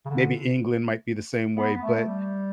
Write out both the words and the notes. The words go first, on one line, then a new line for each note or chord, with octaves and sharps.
maybe England might be the same way. But,
C#3
D3
B3
B3
A3
G3